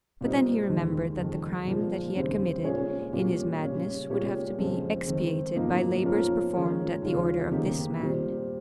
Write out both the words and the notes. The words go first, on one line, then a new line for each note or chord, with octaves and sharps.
But then he remembered that the crime that he had committed in his madness would have to be expiated by labors performed at the order of this man.
A#2 G3 C4 D#4
D#2 D#3 G#3
F2 D#3 G#3
A#2 F3 G#3
D#2 C#3 G3 C4
A#2 G#3 C#4 G#4 C#5
A#2 G3 C#4
C#3 G3 C#4
A#2 G#3 C#4 G4 C#5
F2 C#3 G#3 C4
D#3 G#3 C4
G#2 F3 A#3 D#4
F3 A#3 C#4 F4 A#4
D#3 G#3 C#4 F4 A#4
D#2 C#3 G#3 C#4 F4
C3 D#3 A#3 D#4 G4
A#2 G3 C4